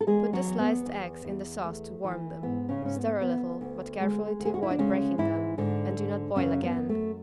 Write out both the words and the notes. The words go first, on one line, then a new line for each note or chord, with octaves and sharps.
Put the sliced eggs in the sauce to warm them, stir a little, but carefully to avoid breaking them, and do not boil again.
A4
E2 G#3 G#4
F#3 F#4
E2
B3
E2
E2
A3
E3
G#2 B3
C#3 C#4
G#2 C#4
B3
D2 B3
D2
G#3
D2
G#4
F#4
E4
D4
C#3 G#3 C#4
G#2 E3 E4
G#2 D3 D4
G#2
F#2 C#3 C#4
B3
F#2
A3